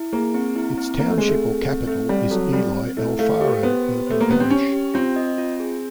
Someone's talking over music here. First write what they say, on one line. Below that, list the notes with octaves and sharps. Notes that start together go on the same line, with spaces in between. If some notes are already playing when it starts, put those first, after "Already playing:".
Its township or capital is Eloy Alfaro, urban parish.
Already playing: E4
A#3 G#4
C4
E4
C4
A#3 C4
A3
G#3 G#4
A3
C4
C4
A3 C4
G3 C4
F#3 A4
G3 C4
C4
A3 E4
A3 F5
G4
B3 C5
G4
A3 C5
A#3
B3 G4
C4
C#4 G4
G4
C4 F4
D#5
F4
G#4